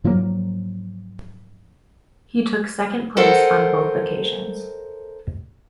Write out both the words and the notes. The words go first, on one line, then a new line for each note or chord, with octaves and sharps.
He took second place on both occasions.
G#2 F3 F#3 A#3
A4 A#4 C5 D#5 F#5 G5